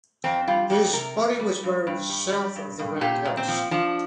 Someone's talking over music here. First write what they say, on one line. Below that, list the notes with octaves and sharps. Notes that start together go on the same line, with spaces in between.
His body was buried south of the Round House.
F2 C4
G3 F4
F2 G4
C3 A#4
F2
G3
G2
G2
G3
G3
G2
G2
A#2 G4
A#2
C4
F3
F3 D4